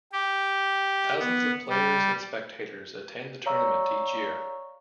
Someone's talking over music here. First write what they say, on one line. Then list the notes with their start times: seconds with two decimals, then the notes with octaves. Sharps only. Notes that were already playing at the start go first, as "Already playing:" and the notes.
Thousands of players and spectators attend the tournament each year.
0.12 G4
1.19 B3
1.68 G3
3.46 C#5 D5 F5 A#5 C#6 E6